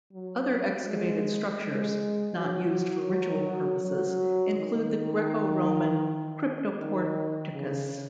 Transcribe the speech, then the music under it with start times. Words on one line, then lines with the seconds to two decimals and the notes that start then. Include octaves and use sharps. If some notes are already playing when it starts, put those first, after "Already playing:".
Other excavated structures, not used for ritual purposes, include the Greco-Roman cryptoporticus.
0.13 F#3
0.86 G#3
1.60 G#3
2.34 F#3
3.09 F#3
3.82 F#3
4.57 D#3
6.79 D#3
7.53 C#3